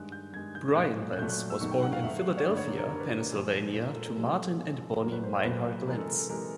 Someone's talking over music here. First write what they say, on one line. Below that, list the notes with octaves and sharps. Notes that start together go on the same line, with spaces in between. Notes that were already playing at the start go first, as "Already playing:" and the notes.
Bryan Lentz was born in Philadelphia, Pennsylvania, to Martin and Bonnie Minehart Lentz.
Already playing: G2 D#3 G#3 F#6
G6
G2 D#3 G#3 G#6
G6
A#2 F#3 A3 F#6
F#6
A#2 F#3 A3 G6
F#6
E6
G#2 D#3 F#3 A3 C#6
G5
F#5
F5
G#2 D#3 F#3 A3 E5
C#5
G2 D3 G3 D5
C#5
A#4
A#4
G2 D3 G3 A#4
B4
A#4
A#2 F3 G#3 C5
A#2 F3 G#3 B4
A#4
A4
A#4
C3 F3 G#3 A4
C3 F3 G#3
B4
A#2 F#3 A3 A#4
B4
C5
C5
A#2 F#3 A3 B4
C3 E3 G#3 A#4
A4
A#4
A4
C3 E3 G#3 A#4